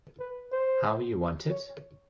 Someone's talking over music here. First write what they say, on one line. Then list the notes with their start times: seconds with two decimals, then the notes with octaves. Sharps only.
How You Want It?
0.20 B4
0.52 C5
1.50 C#5